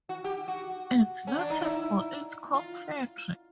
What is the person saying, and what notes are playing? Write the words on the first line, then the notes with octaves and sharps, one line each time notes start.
It's noted for its Coke factory.
F#4
G4
F#4
C#4
D4
D#4
E4
F4